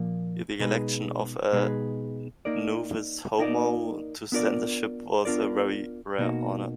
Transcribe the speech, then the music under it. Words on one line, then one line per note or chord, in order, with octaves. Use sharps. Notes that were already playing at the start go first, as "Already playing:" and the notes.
The election of a "novus homo" to censorship was a very rare honour.
Already playing: A#2 F3 A#3
B2 G#3 D#4 G#4 B4
B2 G#3 D#4 G#4 B4
A#3 D#4 A#4 D5
A#3 D#4 A#4 D5
B3 D4 F4 A#4 D5
B3 D4 F4 A#4 D5
B2 A#3 D#4 F#4